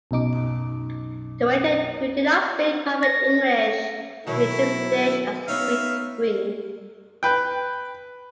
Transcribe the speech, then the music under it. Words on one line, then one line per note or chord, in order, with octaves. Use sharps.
The waiter, who did not speak perfect English, introduced the dish as sweet wing.
B1 F#2 D#4 D6
A#6
B2 D#3 F#3 E4
B3 C#4 D#4 E5 F5
B4 G5